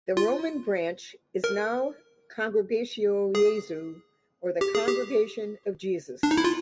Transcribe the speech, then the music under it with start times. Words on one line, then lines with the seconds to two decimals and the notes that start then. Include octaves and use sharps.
The Roman Branch is now Congregatio Jesu or the Congregation of Jesus.
0.17 F4
1.44 A#4
3.35 G#4
4.61 G4
4.75 G#4
4.87 G4
6.23 D4
6.31 D#4
6.38 E4
6.44 F4